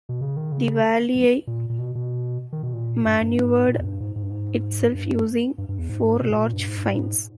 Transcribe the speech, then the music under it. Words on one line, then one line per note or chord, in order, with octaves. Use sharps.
The Walleye maneuvered itself using four large fins.
B2
C#3
D#3
C#3
A#2
A#2
B2
B2
D#3
B2
A#2
G2
G2
G#2
A#2
E2
G2
G#2
G#2
G2
G#2
G2
G2
G2
E2
G#2
B2
G#2
A#2
G2
G#2
G2
G#2
A#2
G#2